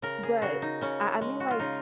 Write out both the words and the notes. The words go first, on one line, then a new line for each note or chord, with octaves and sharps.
But I I mean, like
C#3 A#4
G#4
C#3 F#4
D#4
C#3 C#4
G#3
F#4
F4
C#3 D#4